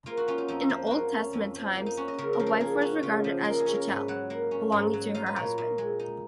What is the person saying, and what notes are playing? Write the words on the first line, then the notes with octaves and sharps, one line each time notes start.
In Old Testament times, a wife was regarded as chattel, belonging to her husband.
A#3 F4
F#4
C#4 F4
D#4
F2 D#4
F3
A#3 F4 F#4
C#4
F2
F3
A#3
D#4
C#4 F#4
D#5
C#3 A#4
A#4
F3
A#4
A#3 G#4
C#4 F#4
C#3 F4
F3
A#3 A#4
G#4
C#4
A#4
G#2 B4
F#3 F#5
A#3 F#5
C#4
G#2
F#3
D#4 F5
B4
A#2 C#5
A#2
G#3
D#4